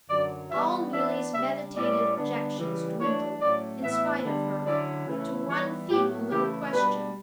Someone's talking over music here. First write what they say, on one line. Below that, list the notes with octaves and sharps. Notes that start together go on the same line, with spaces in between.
All Neelie's meditated objections dwindled, in spite of her, to one feeble little question.
F#2 D3 F#3 D5
E3 G3 B3 E5
E3 B3 D4 E5
C#3 G3 D4 E5
A2 G3 C#4 E4 D5
D3 G3 B3 D4
C#3 E3 G3
E3 A3 D4 C#5
A2 F#3 A3 C#4 D5
A2 E3 B3 E4 E5
D3 G3 B3 D4
D3 F#3 C#4 E4 D5
C#3 E3 A3 C#4 E4
E3 G3 B3 E4 C#5
A2 F#3 B3 G4
C#3 E3 A3 E4 G4
B2 G3 D4 B4